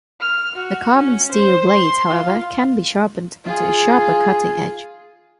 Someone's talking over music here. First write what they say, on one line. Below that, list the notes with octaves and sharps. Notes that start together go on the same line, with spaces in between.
The carbon steel blades, however, can be sharpened into a sharper cutting edge.
F6
F#4
C#4
C5
C6
F4
F4 G#4